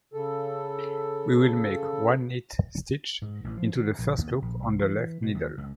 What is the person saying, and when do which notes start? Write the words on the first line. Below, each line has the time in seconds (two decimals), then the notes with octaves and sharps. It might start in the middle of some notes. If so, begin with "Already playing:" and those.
We will make one knit stitch into the first loop on the left needle.
0.13 C#3 A4
3.22 G#2
3.44 A1
3.57 F3
3.75 D#3
3.98 A#1
4.18 D#2
4.42 A#1
4.62 C2
4.81 E3
5.22 B2
5.35 D#2
5.58 C#2